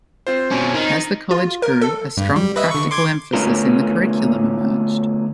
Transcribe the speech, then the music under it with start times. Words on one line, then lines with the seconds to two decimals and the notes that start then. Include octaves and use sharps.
As the College grew, a strong practical emphasis in the curriculum emerged.
0.27 C4 F4 C5
0.52 B2 C#4
0.74 D#3 D#4
1.31 F4
1.62 A#4
1.81 A4
2.17 G2
2.36 G3
2.56 B4 D#5 E5
2.71 D3 C#6
2.91 C6 D6 G#6
3.33 D3 A3 B3 C#4 F4 A#4